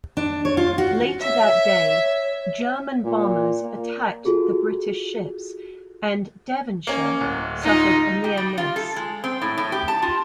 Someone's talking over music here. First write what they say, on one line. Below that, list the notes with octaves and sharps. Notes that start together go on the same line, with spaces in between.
Later that day, German bombers attacked the British ships and "Devonshire" suffered a near-miss.
D4
C#5
F4
F#4
C#5 E5
A#2
A#3
F4 F#4 G#4 A4
A#3 C#4
D1
D#4 F4
G4
G3
F4
A4
G#3
C4
A2
A2
G4
A5
F4